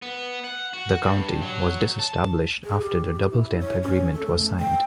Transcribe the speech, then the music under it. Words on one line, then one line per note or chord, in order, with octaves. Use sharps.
The county was disestablished after the Double Tenth Agreement was signed.
B3
F#5
F#4
G2
F#3
A5
G#4
G4
G4
E4
C#5
C#4
A4
A3
A3
G5